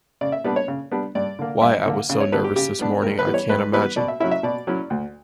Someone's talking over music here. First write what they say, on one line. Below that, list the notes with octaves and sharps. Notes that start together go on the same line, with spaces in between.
Why I was so nervous this morning I can't imagine.
C#3 D5
E5
G3 B3 D4 D5
C#5
C#3
G3 B3 D4
G2 D5
D3 A#3
G2 E5
D3 A#3
C#3
C#5
G3 B3 D4 B4
G4
C#3 G4
G3 B3 D4
G2 A#4
B4
E3 G3 B3
C#5
G2 B4
E3 G3 B3 B4
B2 D5
E5
F#3 C#4 E4 E5
E5
B2 D5
F#3 C#4 E4
D2